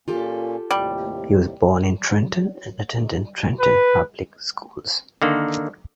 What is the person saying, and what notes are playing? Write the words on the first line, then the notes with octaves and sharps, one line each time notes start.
He was born in Trenton and attended Trenton public schools.
A#2 A#3 C#4 F4 G4 A4
D#2 A2 C3 G3
B4
D3 D#3 A#3